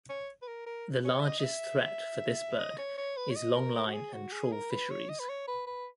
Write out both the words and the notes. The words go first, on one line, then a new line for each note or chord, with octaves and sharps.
The largest threat for this bird is longline and trawl fisheries.
C#5
B4
A#4
A#4
C#5
E5
D#5
D#5
E5
D#5
C#5
C#5
B4
C#5
D#5
A#4
A#4
F#4
G#4
F#4
G#4
A#4
B4
C#5
D#5
B4
C#5
B4
B4